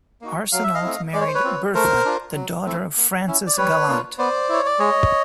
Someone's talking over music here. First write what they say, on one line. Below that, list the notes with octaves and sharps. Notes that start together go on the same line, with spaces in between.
Arsenault married Bertha, the daughter of Francis Gallant.
A#3 D#4 F#4
F#3 F5
E5
D#5 F5
A3 C4 E4
G#3 D5
C#5
C5
B4 C#5
C4 F4
A3 A#4 C5
D4 F4
F#3
A3 C4 E4
A#3
C#4 E4
D5
G3 B4 C#5
A#3 D4 F4
B3 C5 D5
E4 C#5
D5
G#3 C#5 D#5